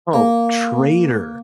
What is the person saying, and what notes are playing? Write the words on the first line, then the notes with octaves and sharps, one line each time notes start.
Oh, traitor.
A#3